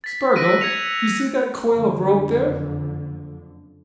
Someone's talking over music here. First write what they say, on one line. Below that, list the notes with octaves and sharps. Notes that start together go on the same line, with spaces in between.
Spargo, you see that coil of rope there.
A6 B6
E6 F#6 A#6 B6 D7 D#7
G#6 B6 C#7 F7
F#1 F2 D3